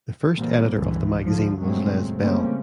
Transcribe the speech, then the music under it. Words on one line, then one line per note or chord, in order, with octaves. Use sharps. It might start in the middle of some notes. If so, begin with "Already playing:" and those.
The first editor of the magazine was Les Bell.
A#2 D3 E3 G3 A#3 C4
C#2 G2 D3 E3
D3 F3
A#2 C#3 F#3 G#3 A3 C4
C#3 G3 A3 A#3 C4 C#4